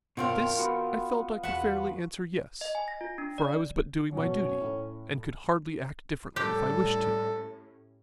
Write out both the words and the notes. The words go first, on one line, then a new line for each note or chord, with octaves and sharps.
To this I felt I could fairly answer "yes," for I was but doing my duty, and could hardly act differently if I wished to.
B1 F#2 B2 D#3 C4 F4 A#4
B3 F#4
E2 F#4 B4 A5
D#5
G#5
A#6
F4
D4
D5
F#2 B2 C#4
A2
A2 G3 C#4 G4 A4 G5